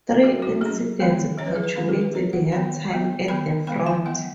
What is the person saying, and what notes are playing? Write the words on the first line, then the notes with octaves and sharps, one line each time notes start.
Three incidents punctuate their time at the front.
F#3 B3 F#4
F#4
F#3 C#4 G#4
D#3 G#3 B3
F#3 C#4 C#5
B4
G#4
B4
D#3 G#3 C#4 B4
G#4
B4
F#3 C#4 C#5
F#5
D#3 B3 B5
F#3 B3
D#3 B3 B5
D#3 G#3 B3 B5
G#5
F#3 B3 F#5